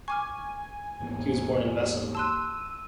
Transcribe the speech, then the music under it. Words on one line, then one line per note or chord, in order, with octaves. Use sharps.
He was born in Vessem.
G#5 C#6 D6 F6
D#2 G#2 E3 B3
A5 C6 E6 F#6 D#7